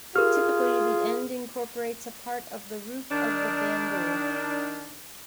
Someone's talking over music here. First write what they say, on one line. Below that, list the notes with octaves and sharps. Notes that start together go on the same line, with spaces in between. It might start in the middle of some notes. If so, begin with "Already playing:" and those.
Typically, the end incorporates a part of the root of the bamboo.
F4 G4 G#4 A#4 F6
D#3 D4